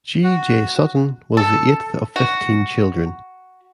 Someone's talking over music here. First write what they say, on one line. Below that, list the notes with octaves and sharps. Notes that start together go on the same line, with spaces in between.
G. J. Sutton was the eighth of fifteen children.
F#4
A4
F#4